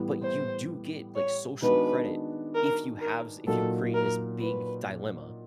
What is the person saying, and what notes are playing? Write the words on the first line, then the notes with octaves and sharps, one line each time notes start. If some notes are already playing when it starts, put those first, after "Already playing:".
but you do get, like, social credit if you have z if you create this big dilemma,
Already playing: A2 E3 G3 B3
C5
C#5
D#3 G#3 B3 D4 F#4 B4
A#4
A#4
A#2 F#3 A#3 D#4 F#4 A4
A#4
B4